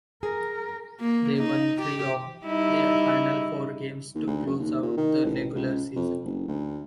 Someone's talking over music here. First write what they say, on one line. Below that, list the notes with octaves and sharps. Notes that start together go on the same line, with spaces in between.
They won three of their final four games to close out the regular season.
G#4 A#4
A#3
D#4
G4
G3 D#4 E4
D#2
D2
F#2
D#2
A#2
D#3
A1
C#2
F2
F#1
D2